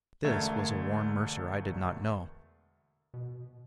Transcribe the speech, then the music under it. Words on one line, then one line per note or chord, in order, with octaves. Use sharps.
This was a Warren Mercer I did not know.
E1 D3 A3 A#4 G#6
B2